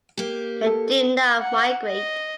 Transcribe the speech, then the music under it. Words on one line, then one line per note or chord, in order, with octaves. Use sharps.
They do not migrate.
A#3 G4
A4
F#5
D#5